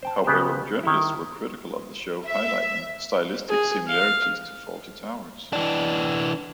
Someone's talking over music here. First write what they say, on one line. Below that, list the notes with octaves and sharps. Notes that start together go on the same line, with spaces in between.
However, journalists were critical of the show, highlighting stylistic similarities to "Fawlty Towers".
C5 G5 A5
C#3 B3 G4 C5
D#3 E4
E5
G#4
F5
E3 D4